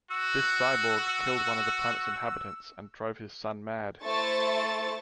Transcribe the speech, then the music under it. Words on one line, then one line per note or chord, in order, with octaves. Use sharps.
This cyborg killed one of the planet's inhabitants and drove his son mad.
F#4 E6
A3 E4 C5 C#6 A6